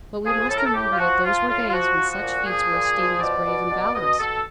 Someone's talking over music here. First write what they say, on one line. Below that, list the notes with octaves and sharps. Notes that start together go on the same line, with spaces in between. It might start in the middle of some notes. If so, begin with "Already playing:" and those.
But we must remember that those were days when such feats were esteemed as brave and valorous.
F3 G#4
A2 A4
A#4
A4
A2 G4
F4
F3 F#4
F3 F4
A2 F4
F4
F3 F#4
F3
F#4
A#2
F3 G#4
A#2
F3
B2 D5
B2
B2
B2 D#5
B2 A4